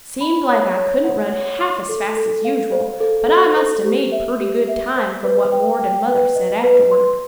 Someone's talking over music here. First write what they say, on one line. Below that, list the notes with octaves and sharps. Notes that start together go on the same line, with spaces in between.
Seemed like I couldn't run half as fast as usual, but I must 'a' made purty good time, from what 'Mord' an' Mother said afterward.
B5
C#5
C#5
F#5
C#5
D6
A4
A4
F5
C5
A4
A4
C5
G4
E5
G4
E5
C5
B4
G5
G5
B4
D#5
B4
C6